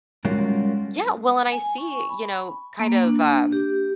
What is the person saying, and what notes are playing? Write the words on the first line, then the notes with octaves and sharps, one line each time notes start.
Yeah, well, and I see, you know, kind of, um,
G3 G#3 C#4 F4 F#4 A#4
G#5
C#6
B5
A#3
D4
G4